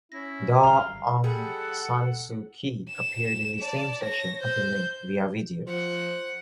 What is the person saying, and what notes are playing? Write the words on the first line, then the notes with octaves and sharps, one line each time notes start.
Daw Aung San Suu Kyi appeared in the same session attending via video.
C#4 E4 A#6
G1 F#2 F5 A#5 C6
G3 G#4 A4 F#5
E7
D5 A5
C#5 A#6
C5 G6
F3 C5 F#5